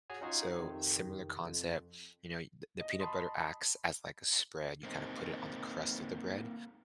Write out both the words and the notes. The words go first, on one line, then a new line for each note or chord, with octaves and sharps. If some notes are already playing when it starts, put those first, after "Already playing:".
so, similar concept, you know, y the the peanut butter acts as, like, a spread, you kinda put it on the crust of the bread,
F#4 G#4 C#5 G#5
C#4 D#4 F4 F#4 G#4 C#5
F2 C3 D#3
F2
D#5
D#5 A5 B5 C6 D#6
A#3 C4 D#4